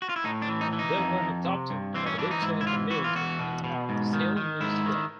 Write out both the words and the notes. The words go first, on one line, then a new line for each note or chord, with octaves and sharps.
They were adopted by the bookselling community and are still in use today.
F#4
F4
E4
A2 D#4
D4
E3
D#4
E3
D#4
F2
F2
C3
G2
E3 C4
C#4
E3 D4
D#4
G#2 E4
E4
E3 F4
E3 F#4
F4
E2 F#4
B2
B2
G#2
D#3
D#3
G#2 E4
D#3